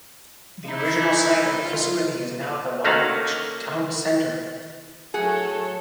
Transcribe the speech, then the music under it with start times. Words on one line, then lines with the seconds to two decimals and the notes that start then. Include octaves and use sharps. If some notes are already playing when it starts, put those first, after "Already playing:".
The original site of the facility is now the Long Beach Towne Center.
0.65 D#4 E4
1.62 F4
2.85 A3 A#3 C#4 F#4 A4 F5
5.14 A2 F#3 F#4 G#4 A4 C#5